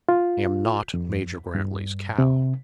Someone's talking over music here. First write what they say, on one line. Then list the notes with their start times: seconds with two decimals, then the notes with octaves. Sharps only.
"I am not Major Grantly's cow."
0.09 F4
0.94 F2
1.55 G2
2.18 C3